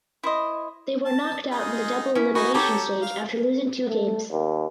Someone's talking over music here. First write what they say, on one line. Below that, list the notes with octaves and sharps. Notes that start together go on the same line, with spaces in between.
They were knocked out in the double elimination stage after losing two games.
E4 C5 D#5
A5
D#4 F4 G#4
C#4 E4
D#4 F#4 G#5 B5
D#4 G4 A4 C#5 A#5
F5
A3
D#2